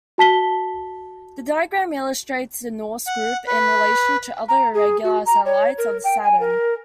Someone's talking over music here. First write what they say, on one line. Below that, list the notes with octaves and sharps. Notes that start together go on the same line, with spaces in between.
The diagram illustrates the Norse group in relation to other irregular satellites of Saturn.
F#4 A5 B6 G7
F#5
B4
A#5
G#4
F#4
A#5
C#5
A#4
G5
G#5
A#4